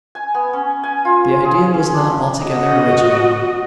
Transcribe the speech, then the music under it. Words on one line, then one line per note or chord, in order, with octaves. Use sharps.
The idea was not altogether original.
G#5
B3
C#4
G#5
F4
G#4
C#4
D4
F#4 D#5